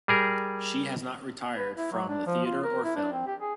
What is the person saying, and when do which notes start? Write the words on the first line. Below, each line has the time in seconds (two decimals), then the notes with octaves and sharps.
She has not retired from the theater or film.
0.08 G3 G#4 A#4
1.57 B4
1.77 E4
1.92 F#3
2.09 D4
2.27 F3
2.45 F4
2.64 A#4
2.84 E4
2.96 D4
3.13 C4
3.27 G4
3.40 G#4